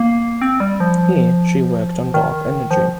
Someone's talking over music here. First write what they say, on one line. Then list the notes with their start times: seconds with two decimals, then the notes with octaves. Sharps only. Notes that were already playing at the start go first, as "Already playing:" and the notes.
Here she worked on dark energy.
Already playing: A#3
0.42 C4
0.60 G3
0.80 F3
2.14 D#3
2.71 F3